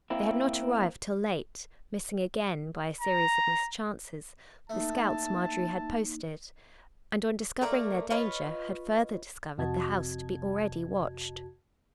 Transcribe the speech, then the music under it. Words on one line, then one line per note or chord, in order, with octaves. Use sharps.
They had not arrived till late, missing again, by a series of mischances, the scouts Marjorie had posted; and, on discovering their danger, had further discovered the house to be already watched.
A#3 C4 E4
A#5
A3 A#3 D#4 A5
A3 A#3 A#4 D5
F4 B4 C#5 D#5
F2 C3 F#4 D#5 A5 G#6